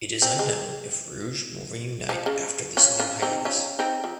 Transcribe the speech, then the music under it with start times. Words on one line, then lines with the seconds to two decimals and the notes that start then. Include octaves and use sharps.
It is unknown if Rouge will reunite after this new hiatus.
0.22 C4
0.39 G#3
2.09 F3
2.26 C#3
2.77 C#4 F4
2.99 C#4 F4
3.22 C4 D#4
3.45 C#4 F4
3.79 C4 D#4
4.04 F3